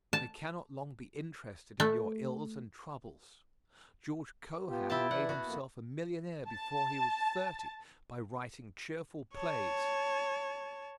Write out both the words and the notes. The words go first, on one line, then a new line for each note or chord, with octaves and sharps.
They cannot long be interested in your ills and troubles. George Cohan made himself a millionaire before he was thirty by writing cheerful plays.
A5
A3
B3 F4 G4
E4 G5 A5
E3 D5 E5 F#5
B3 F#4
F2 A#3
A5
C#5 A5